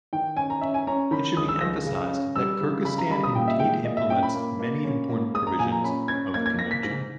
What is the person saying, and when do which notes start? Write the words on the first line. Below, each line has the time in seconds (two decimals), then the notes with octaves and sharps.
It should be emphasized that Kyrgyzstan indeed implements many important provisions of the Convention.
0.13 D#3 G5
0.36 C#4 G#5
0.50 A#5
0.61 C#4 E5
0.74 G#5
0.87 C#4 A#5
1.11 D#3 B5
1.37 C#2 D#6
1.49 E6
1.61 C#2 A#6
1.86 C#3
2.11 C#4
2.36 G3 E6
2.61 C#3
2.85 C#3 B5
2.98 A#5
3.10 G3 B5
3.23 D#6
3.35 A#2 G5
3.48 E5
3.60 G#3 G5
3.85 A#2 D#5
3.97 E5
4.09 C#4 G5
4.23 B5
4.35 A#3
4.59 A#3
4.84 C#4
5.09 A#3
5.34 G#3 D#6
5.47 A#5
5.59 A#2 G#5
5.72 A#5
5.84 C#4 B5
6.08 C#4 G#6
6.34 A#3 G#6
6.46 G#6
6.59 A#3 A#6
6.71 B6
6.83 G#2 A#6